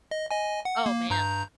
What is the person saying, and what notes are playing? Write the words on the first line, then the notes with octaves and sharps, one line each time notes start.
Oh man.
D#5
D#5 G#5
F#5
A#3
G2 A#5 G6